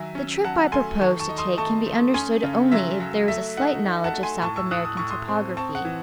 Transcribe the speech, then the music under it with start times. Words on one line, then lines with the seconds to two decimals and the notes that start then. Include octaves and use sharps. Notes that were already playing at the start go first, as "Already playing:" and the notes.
The trip I proposed to take can be understood only if there is a slight knowledge of South American topography.
Already playing: D#3 F#3 E5 G#5
0.15 C#4
0.44 F#3 F#5 A5
0.72 A3 G#5 C6
1.01 D#3 A5 C#6
1.20 A5 C#6
1.29 D#4
1.38 C6 D#6
1.58 A3 A5 C#6
1.86 A3
2.14 C#4 G#5 C6
2.43 C#3
2.72 F#3 E5
3.00 F#3
3.28 A3 E5
3.57 D#4 F#5
3.86 D#4
4.04 F#5 A5
4.14 A3
4.23 G#5 C6
4.42 A2 A5 C#6
4.56 C#6 E6
4.71 A2 D#6 F#6
4.85 D#6
4.97 A2 C#6
5.10 C6 D#6
5.28 C4
5.57 C4 A5 C#6
5.75 F#5
5.85 E3